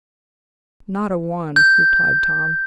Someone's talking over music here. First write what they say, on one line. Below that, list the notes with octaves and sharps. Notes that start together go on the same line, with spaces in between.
"Not a one," replied Tom.
G6